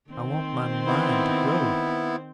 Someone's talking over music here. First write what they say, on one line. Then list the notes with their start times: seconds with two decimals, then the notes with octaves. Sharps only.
I want my mind to grow.
0.11 D#3 C4 C5
0.87 B3 E4